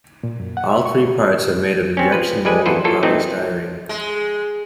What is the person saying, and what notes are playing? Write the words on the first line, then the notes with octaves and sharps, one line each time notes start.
All three parts are made of injection-moulded polystyrene.
A#2
F#2
F#5
E5
C#6
C4 C#4
F3 B4
G3 G#3 B4 G#5
G#1 E2 A4 B4 C5
F3 A#3 F4 A4 C#5
A#2 E3 A3 C4 D#4
G#3